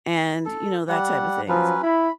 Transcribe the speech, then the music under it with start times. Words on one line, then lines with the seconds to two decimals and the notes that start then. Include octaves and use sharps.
and, you know, that type of things.
0.45 A4
0.89 G3 F#5
1.49 F3 F#3 C#4 B4
1.83 E4 B5